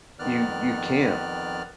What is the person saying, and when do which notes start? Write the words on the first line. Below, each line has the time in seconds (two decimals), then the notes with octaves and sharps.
You you can't.
0.19 F2 D#3 B3 D5 F6 F#6